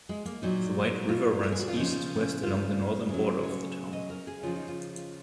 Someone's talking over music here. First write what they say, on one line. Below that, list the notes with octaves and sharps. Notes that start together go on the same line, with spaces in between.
The White River runs East to West along the northern border of the Town.
G#3
A#3
A#2 F#3 D#4
F4
A#4
G#4
F#4
F4
C#3 F3 D#4
B3
C#4
F4
C#3 F#3
C#5
D#5
A#4
G#4
C#3 F3 F4
D#4
F4